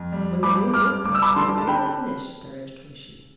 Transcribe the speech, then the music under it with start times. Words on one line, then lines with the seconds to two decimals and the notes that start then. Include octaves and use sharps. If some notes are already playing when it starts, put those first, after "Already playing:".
When they knew this perfectly, they had finished their education.
Already playing: F2
0.12 G3
0.43 G2 B5 D6
0.74 G2 D6 F6
1.05 G2 D6
1.15 E6
1.22 B5 D6
1.36 D3 A5 C6
1.58 A5
1.67 D3 G5 B5